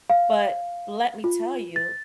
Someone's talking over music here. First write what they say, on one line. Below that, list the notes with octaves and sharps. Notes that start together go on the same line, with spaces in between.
but let me tell you,
F5
F4
A6